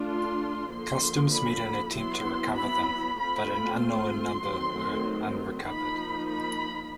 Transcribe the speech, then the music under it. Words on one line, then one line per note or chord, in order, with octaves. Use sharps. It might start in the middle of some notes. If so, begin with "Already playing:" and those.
Customs made an attempt to recover them, but an unknown number were unrecovered.
Already playing: A3 D4 F4
C6
D3 F3 A#3 C6
B5
F#3 B3 E4 C6
B5
A3 C4 F4 B5
B5
C6
D#3 F#3 A3 C4
F3 A#3 D#4 B5
B5